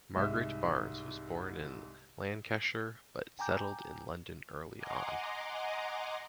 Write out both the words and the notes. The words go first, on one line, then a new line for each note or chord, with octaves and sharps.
Margaret Barnes was born in Lancashire but settled in London early on.
C2 G#2 E5
G5 G#5 A#5 D6 G6
D#5 F#5 G#5 A#5 C6 D6